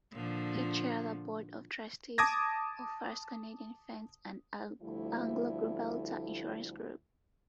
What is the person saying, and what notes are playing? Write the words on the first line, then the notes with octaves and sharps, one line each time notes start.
He chaired the board of trustees of First Canadian Funds and AngloGibraltar Insurance Group.
A#2 D3 F3
A5 D6 D#6 G#6 A#6
D2 F3 G3 A3 E4